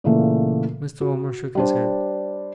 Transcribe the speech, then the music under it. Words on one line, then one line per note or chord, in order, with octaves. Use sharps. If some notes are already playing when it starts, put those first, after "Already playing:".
Mr. Omer shook his head.
A#2 C#3 E3 A3 A#3
F#4
G3 D4 C5